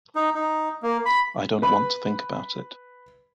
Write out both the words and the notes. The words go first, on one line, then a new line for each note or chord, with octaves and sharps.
I don't want to think about it.
D#4
D#4
A#3
B5
B4 B5